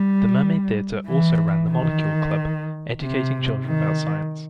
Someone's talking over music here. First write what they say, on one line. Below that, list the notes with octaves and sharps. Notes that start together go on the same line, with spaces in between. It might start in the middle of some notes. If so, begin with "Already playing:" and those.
The Mermaid Theatre also ran the Molecule Club, educating children about science.
Already playing: G3
E3
D#3
C3
D#3